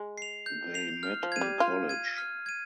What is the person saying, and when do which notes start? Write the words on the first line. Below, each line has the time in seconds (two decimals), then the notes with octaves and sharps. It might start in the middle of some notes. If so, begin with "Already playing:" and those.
They met in college.
Already playing: G#3
0.18 C7 F7
0.46 G6
0.74 C7 F7
1.03 F6
1.23 F3
1.32 G#6 D#7
1.41 G3
1.60 F4 F6
1.89 G#6 D#7
2.18 F6
2.46 G#6 D#7